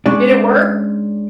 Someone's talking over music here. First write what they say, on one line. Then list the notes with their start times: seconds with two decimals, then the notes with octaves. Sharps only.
Did it work?
0.06 G#3 C#4 D4 D5